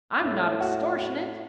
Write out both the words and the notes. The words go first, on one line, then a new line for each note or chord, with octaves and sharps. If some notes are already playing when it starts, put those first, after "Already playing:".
I'm not extortionate.
A2 E4
F#4
F#4